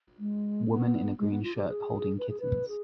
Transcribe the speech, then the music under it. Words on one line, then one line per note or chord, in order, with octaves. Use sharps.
Woman in a green shirt holding kittens.
G#3
B3
G#3
B3
F4
G4
G#4
B4
G#4
B4
G#4